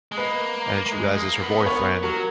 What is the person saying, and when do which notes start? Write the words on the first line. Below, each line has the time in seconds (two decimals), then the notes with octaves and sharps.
and she realizes her boyfriend
0.12 G#3
0.17 A#3 B4 D#5
0.86 A#3
0.91 G#3
1.17 A#3
1.42 B3
1.60 B4
1.66 B3 A#4 C#5
2.03 F#3 F#4 A#4